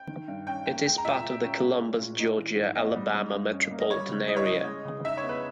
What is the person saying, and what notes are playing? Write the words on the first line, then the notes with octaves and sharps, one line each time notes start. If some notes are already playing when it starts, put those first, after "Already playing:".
It is part of the Columbus, Georgia-Alabama Metropolitan Area.
Already playing: G5
D#3
G2
C#4 G5
A#3 G5
G#3 G5
A#5
A#2 E5
G5
A#2
C#4
G#3
A#2
A#2
D#4
E3
G#2
B3 D#5
G3
G3
G2
C#4
A#3
D#5
G3 C#5
C#3
E4 D#5
C#5
C#4 D#5
G#3
C#3
D#4 E5
C#5
B3
B4